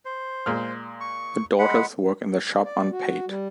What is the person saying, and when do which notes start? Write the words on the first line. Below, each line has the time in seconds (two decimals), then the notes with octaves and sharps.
The daughters work in the shop unpaid.
0.05 C5
0.46 A#2 G#3 F6
1.00 C#6
1.59 G#3 F#5 B5
2.65 D5
2.91 F#4
3.27 G3